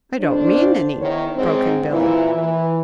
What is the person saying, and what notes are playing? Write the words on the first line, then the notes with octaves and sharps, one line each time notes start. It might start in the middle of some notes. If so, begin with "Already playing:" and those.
"I don't mean any," broke in Billy.
F2 D4 C5
E2 D#3 C#5
G#2 C4
A#2 E3 E4
E3